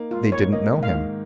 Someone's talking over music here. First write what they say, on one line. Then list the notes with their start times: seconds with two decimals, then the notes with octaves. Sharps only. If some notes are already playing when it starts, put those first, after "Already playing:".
They didn't know him....
Already playing: A#3 D#4
0.11 G#2 F4
0.32 G#2 C#5
0.52 A#3 D#5
0.73 G#2
0.83 F5
0.94 D#3